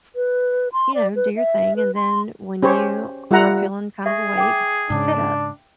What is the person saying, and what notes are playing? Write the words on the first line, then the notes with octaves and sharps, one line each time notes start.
you know, do your thing, and then when you are feeling kind of awake, sit up,
B4
C6
D5
B4
E5
B4
C6
C#4 G4 C5 C#5
G3 F4 E5 F#5 A#5
G#4 E5 C#6
G5 D6
G#2 C#3 D4